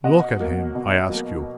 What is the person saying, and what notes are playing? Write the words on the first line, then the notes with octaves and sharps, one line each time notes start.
Look at him, I ask you!
B2 D#5 F#5
F#3 A#3
B2
F#3 A#3